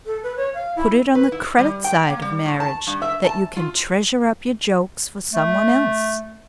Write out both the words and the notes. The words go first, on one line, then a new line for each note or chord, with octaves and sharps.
Put it on the credit side of marriage that you can treasure up your jokes for some one else.
A4
B4
C#5
F5
E4
B4
E4
G3
G5
A#3
G3
A2
A5
G2
E5
A5
F4
A3